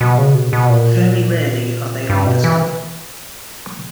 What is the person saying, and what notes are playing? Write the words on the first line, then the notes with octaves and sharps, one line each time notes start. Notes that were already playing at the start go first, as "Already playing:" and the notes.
Very rarely are they on the skull.
B2
C#3
B2
B2
A#2
G2
B2
E3